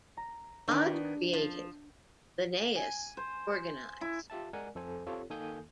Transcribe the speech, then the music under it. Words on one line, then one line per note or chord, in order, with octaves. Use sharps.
"God created, Linnaeus organized".
A#5
D#3 B3 D4
F3
G#5
C5
E4
F4 G4 E5 A5
G#3 A#4 D5 F#5 G#5
F2 A4 C5 G#5
C4 F4 G4 A4 C#5
D#3 A#3 A4 G#5 D#6 G6